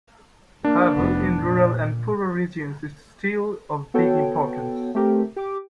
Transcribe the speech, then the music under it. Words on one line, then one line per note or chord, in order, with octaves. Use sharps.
However, in rural and poorer regions it's still of big importance.
A#3 D4
F1 B3
A#2
B3 F#4 A4 C#5 G5 A5
A3 C4 G4 A#4
G4 D6